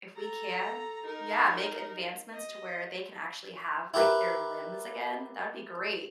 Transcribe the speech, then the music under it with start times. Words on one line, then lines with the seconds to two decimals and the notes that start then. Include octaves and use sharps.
if we can Yeah, make advancements to where they can actually have, like, their limbs again, that would be great.
0.15 A4 A#5
1.05 D#4 A#4
2.33 D#5
3.94 E4 G4 A#4 B4